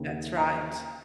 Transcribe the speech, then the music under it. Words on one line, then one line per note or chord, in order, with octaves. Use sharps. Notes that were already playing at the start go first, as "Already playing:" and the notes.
That's right.
Already playing: D#2 C#3
A#5